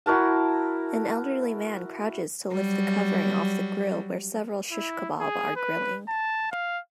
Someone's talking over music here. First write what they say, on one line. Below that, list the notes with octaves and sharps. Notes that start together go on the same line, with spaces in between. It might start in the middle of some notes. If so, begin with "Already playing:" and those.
An Elderly man crouches to lift the covering off the grill wear several shish kabab are grilling.
E4 F#4 A#4 A5
F#3 G3
E4
G#4
B4
A5
F5